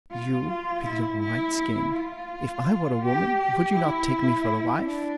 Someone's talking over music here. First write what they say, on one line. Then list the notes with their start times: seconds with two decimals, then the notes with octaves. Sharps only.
You, with your white skin, if I were a woman, would you not take me for a wife?'
0.11 F4
0.48 F4
0.84 E4
1.20 E4
1.56 E4
1.93 F4
3.02 G4
3.38 G4
3.74 E4
4.83 D4